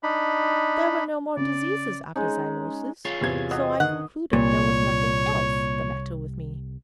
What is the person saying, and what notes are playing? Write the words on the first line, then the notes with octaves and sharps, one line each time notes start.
There were no more diseases after zymosis, so I concluded there was nothing else the matter with me.
D4 D#4 B5
C#3 D5
G#3 C#4 D#4
F4 G#4 C#5
E2 C3 G#6
F#3 D#5
D#3 F#5
C2 A#2 C#5